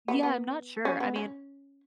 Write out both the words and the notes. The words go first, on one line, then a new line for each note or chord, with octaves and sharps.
Yeah. I'm not sure. I mean
B3
B3
C#4
B3
C#4